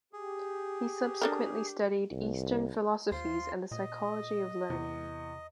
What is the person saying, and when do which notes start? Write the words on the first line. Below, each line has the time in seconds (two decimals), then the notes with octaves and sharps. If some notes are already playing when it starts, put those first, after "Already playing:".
He subsequently studied eastern philosophies and the psychology of learning.
0.13 G4 G#4
1.22 D4 A4 A#4
2.11 C2
3.12 D#2 F4 C5 C6
3.71 A#2 D#5
4.70 E2 C3